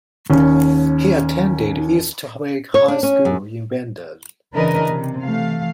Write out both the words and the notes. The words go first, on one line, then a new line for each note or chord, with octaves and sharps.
He attended East Wake High School in Wendell.
D#2 C#4
C#5
D4
C#4
F#2
C#3 E3 D4 A#4 B4 D#5
C3
E3 A3 F5